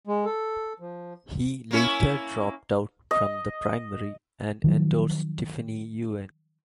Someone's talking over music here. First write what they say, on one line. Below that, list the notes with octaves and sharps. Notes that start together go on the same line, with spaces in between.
He later dropped out from the primary and endorsed Tiffany Yuen.
G#3
A4
F3
A#3 C#4 E4
D#5
D#3 F3 F#3